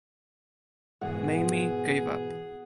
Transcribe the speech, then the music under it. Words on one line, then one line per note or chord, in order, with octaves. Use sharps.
Mamie gave up.
G#2 B2 E3 G#4 F#5